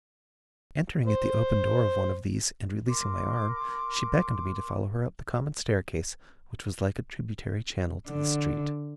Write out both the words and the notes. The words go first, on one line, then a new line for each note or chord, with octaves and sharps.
Entering at the open door of one of these, and releasing my arm, she beckoned me to follow her up the common staircase, which was like a tributary channel to the street.
C5
A#4 C6 D6
D3